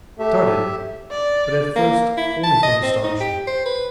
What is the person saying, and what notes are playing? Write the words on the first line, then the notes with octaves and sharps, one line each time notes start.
He started, but at first only from astonishment.
A3 G4 E5
D5
A#3
E4
A5
D#5
C4
D#4
G4
C5
B4